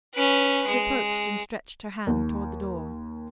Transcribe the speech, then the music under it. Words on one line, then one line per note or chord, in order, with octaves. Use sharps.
She approached, and stretched her hand toward the door.
C#4 B4
G#3
D#2